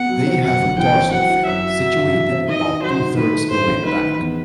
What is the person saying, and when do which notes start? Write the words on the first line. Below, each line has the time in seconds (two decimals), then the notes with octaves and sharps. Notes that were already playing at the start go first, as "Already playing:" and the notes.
They have a dorsal fin, situated about two-thirds the way back.
Already playing: B3 F#5
0.10 F#3
0.27 C4
0.44 F#2 F#5
0.61 G1
0.78 E3 G5
0.95 C4
1.12 F#3 F#5
1.29 E4
1.46 F#2 E5
1.63 F#3
1.81 F#3
1.97 G2
2.14 E3
2.32 C4
2.48 D#3 D#5
2.65 E4
2.82 F#3 C5
3.00 D#4
3.16 D#3 B4
3.34 A3
3.51 A2 C5
3.68 A1
3.85 D#3 B4
4.02 D#4
4.19 E2